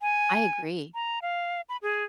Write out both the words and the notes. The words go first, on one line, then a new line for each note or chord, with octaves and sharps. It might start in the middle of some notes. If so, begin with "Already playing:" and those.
I agree.
G#5
A#5
F5
B5
G#4